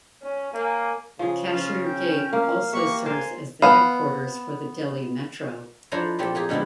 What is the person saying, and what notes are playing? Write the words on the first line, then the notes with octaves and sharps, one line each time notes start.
Kashmere Gate also serves as the Headquarters for the Delhi Metro.
C#4
A#3 G#5
C#3 F3 G#4
C#4 F4
G5
A#3 F5
A#3 G4 E5 C#6
A#4 C5 F5 G#5
B3 F5 B5
F3 D4 E4 A4 C5 A#5
A#2 F3 C4 G4 A4
A#3 G4 G#4
B2 D3 F3 G#3 E4